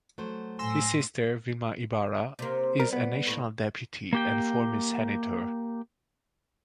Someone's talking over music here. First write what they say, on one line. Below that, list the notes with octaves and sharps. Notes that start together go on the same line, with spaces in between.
His sister, Vilma Ibarra, is a National Deputy and former Senator.
F#3 A3 C5
A2 G#5 C6 E6 A#6
C3 A#3
G3 A#4
B3
A2 A#3
A#3 G4 G5